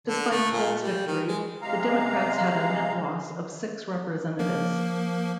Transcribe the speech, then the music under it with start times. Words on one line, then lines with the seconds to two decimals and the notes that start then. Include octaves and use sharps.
Despite Polk's victory, the Democrats had a net loss of six Representatives.
0.07 D3
0.30 A3
0.52 A#2
0.80 G3
1.07 D#3
1.28 G#3
1.62 C3 G#3 F5 A#5
4.39 F3 A#3 A#4